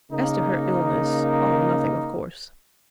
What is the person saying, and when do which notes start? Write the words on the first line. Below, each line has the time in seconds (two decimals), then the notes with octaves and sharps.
As to her illness, all nothing of course.
0.11 C#3 A#3 D#4